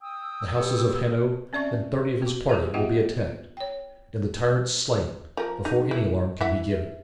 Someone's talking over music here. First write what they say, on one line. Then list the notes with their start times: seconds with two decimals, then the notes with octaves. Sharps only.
The houses of Hanno and thirty of his party will be attacked, and the tyrants slain before any alarm can be given.
0.01 G5 D#6 E6
0.57 G4 B4
1.53 C4 C#4 D5 E5 C#6
2.22 B3 F#4
2.49 G4 G#4 F5
2.74 B3 F4 G4 D#5 E5 F#5
3.57 C#5 G5
5.37 F3 A#4
5.65 D#4
5.91 E4
6.41 E4 E5 F#5